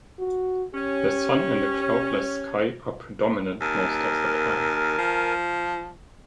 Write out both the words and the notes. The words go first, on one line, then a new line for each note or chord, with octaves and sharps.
The sun and a cloudless sky are predominant most of the time.
F#4
C#4 G4
D#2 A#4 G#5 A5
F3